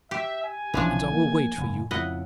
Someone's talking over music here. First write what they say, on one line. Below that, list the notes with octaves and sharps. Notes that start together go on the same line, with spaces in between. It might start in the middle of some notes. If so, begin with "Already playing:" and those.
And I will wait for you.
G4 E5
G#5
B1 E3 F3 C#4 D4
A#3
F#1
F2 A2 C#3 E4 D#5 F#5